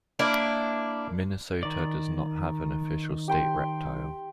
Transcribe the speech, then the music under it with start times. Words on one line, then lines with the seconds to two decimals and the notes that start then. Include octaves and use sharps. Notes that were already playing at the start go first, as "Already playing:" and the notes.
Minnesota does not have an official state reptile.
0.19 A#3 D4 E4
1.63 D#3 D5
3.28 G4 G5 C6